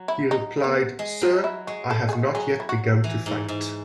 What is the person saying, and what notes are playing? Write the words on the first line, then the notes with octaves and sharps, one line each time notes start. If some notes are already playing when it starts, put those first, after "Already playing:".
He replied, Sir, I have not yet begun to fight!
Already playing: F#3
E4
D#4
B3
G#3
F#3
E4
G#3 F#4
A4
G#4
F#4
F#3 G#4
E4
F#4
E3
G#2
G#2